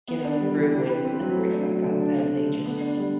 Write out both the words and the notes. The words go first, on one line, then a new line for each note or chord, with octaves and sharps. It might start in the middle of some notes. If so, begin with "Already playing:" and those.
giving them room, waiting for them to bring it back up, and they just
B3
D4
G3
E3
G4
B4
C4
F#3
A3
D4
F#3
D3
D4
A4
A3
D3
B3
D4
G3